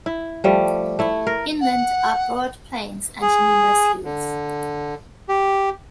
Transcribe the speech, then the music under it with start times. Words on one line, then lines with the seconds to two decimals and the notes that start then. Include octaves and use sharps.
Inland are broad plains and numerous hills.
0.06 E4
0.44 F3 G3 A3
0.99 A3 E4
1.27 A#4
1.60 F#5
3.22 G#4
4.05 D3
5.29 G4